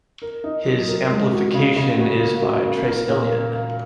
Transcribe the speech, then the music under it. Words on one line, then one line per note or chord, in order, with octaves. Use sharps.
His amplification is by Trace Elliot.
A#4
D#4
F#3
A#4
G#3
F#4
C#3
C#3
F#4
A#3
F#4
A#3
A#4
A#2
A#3
A#4